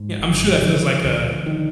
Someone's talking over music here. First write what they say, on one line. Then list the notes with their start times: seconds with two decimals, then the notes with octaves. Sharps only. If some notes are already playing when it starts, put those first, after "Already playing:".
Yeah, I'm sure that feels like, uh
Already playing: G#2
0.20 G#1
0.62 D3 F3
1.04 D2
1.46 D3 D#3